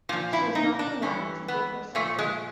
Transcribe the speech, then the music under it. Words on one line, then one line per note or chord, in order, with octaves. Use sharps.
She was not the one to give herself away.
A#2 F3 F4
E4
D#4
D4
G2 E3 C#4
B3
A#2 F3 A3
G#3